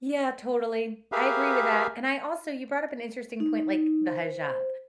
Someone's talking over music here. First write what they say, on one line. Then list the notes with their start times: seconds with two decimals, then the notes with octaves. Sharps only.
Yeah, totally. I agree with that. And I also you brought up an interesting point like the hijab.
1.12 G4 G#4 A#4 B4 E5 F5
3.40 D#4
4.07 C5